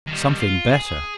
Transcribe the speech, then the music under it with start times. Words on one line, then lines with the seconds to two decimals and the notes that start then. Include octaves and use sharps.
Something better!
0.07 D#3 G3
0.40 F4
0.72 G#4